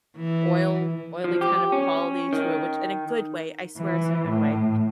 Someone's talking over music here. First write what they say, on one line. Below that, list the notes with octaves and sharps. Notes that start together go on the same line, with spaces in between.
oil oily kind of quality to it, which in a good way, I swear it's in a good way.
E3
F3
G4
C#4
D#3
E3
A2